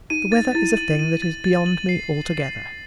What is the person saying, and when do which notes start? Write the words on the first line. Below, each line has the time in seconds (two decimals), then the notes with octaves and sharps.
The weather is a thing that is beyond me altogether.
0.10 D#4 D#7
0.32 A6
0.55 E4 A6
0.77 F#7
0.99 D#7
1.22 A6
1.44 A6
1.66 F#7
1.89 C7